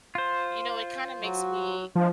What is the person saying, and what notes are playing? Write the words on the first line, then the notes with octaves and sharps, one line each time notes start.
You know, it kinda makes me
F4 C5
F#3 F#4
F3 G#3 D4